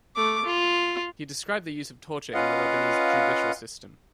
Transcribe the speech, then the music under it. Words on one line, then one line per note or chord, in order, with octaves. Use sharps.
He described the use of torture in the Lebanese judicial system.
A3 D6
F4
C#4 F4 B4 D#5 F5 F#5